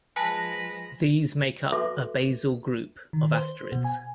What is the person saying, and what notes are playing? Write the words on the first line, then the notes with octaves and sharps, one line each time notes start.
These make up a basal group of asterids.
F3 G#3 B4 G#5 A5 A#6
F#4 A4 B4 E5 C6 D6
D#3
C5
B2
G#5